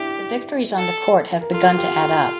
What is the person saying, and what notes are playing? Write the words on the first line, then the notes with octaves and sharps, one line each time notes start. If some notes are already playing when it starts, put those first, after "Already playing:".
The victories on the court have begun to add up.
Already playing: D4 E4 G4
A4
A#4
F4 A4
G4
A4